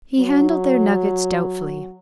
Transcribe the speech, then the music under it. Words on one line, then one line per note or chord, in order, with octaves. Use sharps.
He handled their nuggets doubtfully.
F#3